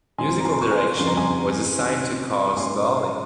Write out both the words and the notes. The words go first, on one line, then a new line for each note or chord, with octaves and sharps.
Musical Direction was assigned to Carl Stalling.
G#2 D#3 F#3 C4 G#5 C6
A#5
G#5 C6
C#6
G#5 C6
F2 C#3 F3 C6
A#5
G#5 C6
C3 D#3 F#3 C#4
C#6
G#2 F#3 A#3 C#4 G#5 C6